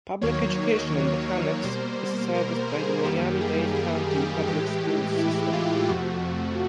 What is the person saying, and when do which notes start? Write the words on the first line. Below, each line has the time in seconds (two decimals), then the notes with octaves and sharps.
Public education in The Hammocks is serviced by the Miami-Dade County Public Schools system.
0.21 D#2 D#3 F#3 A#3 C#5
1.64 B2 G3 A#3 C5
2.35 A#4
2.69 G#4
3.05 F#2 D#3 G3 A#3 G4
3.41 G#4
3.76 G#4
4.11 G4
4.47 A2 E3 G#3 G4
5.18 E4
5.53 F4
5.89 F2 C3 F3 A3 F#4